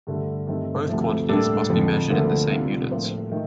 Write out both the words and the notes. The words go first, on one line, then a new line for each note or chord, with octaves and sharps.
Both quantities must be measured in the same units.
G2 D3 A3
G2 D#3 A3 C4
D2 C3 F3 A3
A2 G3 A#3 D4 A4
F2 D3 F3
D2 D3 F3 A#3
C3 G3 D4 F4
A2 F3 A#3 F4 C5
D#3 A3